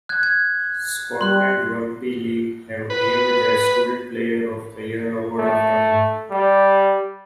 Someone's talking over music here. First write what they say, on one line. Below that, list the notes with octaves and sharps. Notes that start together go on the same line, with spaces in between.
Scotland Rugby League have named their Student Player of the Year Award after him.
F#6 G#6
G#6
G3 C6 F#6
B4
A3
G3